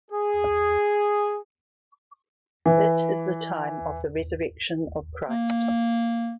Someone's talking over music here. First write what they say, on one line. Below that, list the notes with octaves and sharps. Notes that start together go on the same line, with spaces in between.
It is the time of the resurrection of Christ.
G#4
E3
A#3